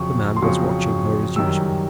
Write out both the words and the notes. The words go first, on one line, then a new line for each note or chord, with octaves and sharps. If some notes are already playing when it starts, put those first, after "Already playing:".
The man was watching her as usual.
Already playing: F2 C#3 F#3 C#6
C6
F2 C#3 F#3 C#6
F#2 D#3 G3 E6